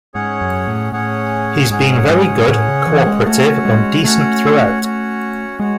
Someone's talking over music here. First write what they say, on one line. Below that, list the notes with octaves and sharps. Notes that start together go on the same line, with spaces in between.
He's been very good, co-operative and decent throughout.
G#2 C#4 G#4 C#5 F#5
F#2
A2
A2 C#4 G#4 C#5 F#5
G#2 C#4 G#4 C#5 F#5
G#2
A2 C#4 G#4 C#5 F#5
C#3
E3
G#3
A3 C#4 F#4 C#5 F#5
G#3
A3 C#4 F#4 C#5 F#5
C#4 F#4 C#5 F#5
G#3 F#4 C#5 F#5